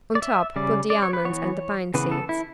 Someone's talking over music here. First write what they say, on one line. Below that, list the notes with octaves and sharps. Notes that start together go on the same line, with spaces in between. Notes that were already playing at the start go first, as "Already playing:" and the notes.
On top put the almonds and the pine-seeds.
D5
E5
C#3 G3 C#4 D5
D5
C#5
B4
E3 B3 C#5
C#3 E3 B3 B4
A4
E4